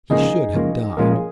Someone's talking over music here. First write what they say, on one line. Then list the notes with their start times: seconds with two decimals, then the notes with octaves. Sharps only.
He should have died.
0.10 C#2 C#3 F3 A#3 D#4 G#4
0.53 C#2 C#3 F3 A#3
0.97 A#2 F3 G#3 C#4 F4 A#4
1.10 G#4